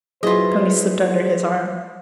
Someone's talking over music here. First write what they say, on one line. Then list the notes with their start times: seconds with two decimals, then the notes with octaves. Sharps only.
Tony slipped under his arm.
0.23 F#3 E4 F4 G#4 B4 C5 D#5